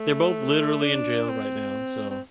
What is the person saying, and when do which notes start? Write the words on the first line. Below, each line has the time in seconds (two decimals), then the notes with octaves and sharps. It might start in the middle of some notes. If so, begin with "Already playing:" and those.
they're both literally in jail right now, so,
Already playing: A3
0.82 D4
1.29 C4
2.10 C4